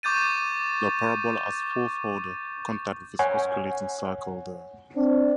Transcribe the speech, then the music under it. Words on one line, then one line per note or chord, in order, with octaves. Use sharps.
The parabola has fourth order contact with its osculating circle there.
C#6 D6 G6 A6 D#7
C#5 F#5 G#5
C4 D4